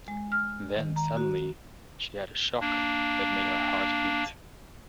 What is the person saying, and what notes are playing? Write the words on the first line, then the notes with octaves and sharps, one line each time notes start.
Then suddenly she had a shock that made her heart beat.
G#3
F6
D#3
A#5
F#4
A#3 D4